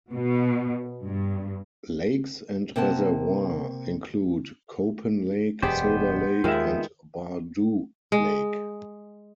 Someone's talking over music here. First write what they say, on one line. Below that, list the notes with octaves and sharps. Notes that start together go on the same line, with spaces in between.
Lakes and reservoirs include Copan Lake, Silver Lake and Bar-Dew Lake.
B2
G2
C3 A#3 A#4 F#5 A5
E1 F#2 B3 G4 G#4 C5 D5
D#2 D#3 G#3 F4 E5
G#3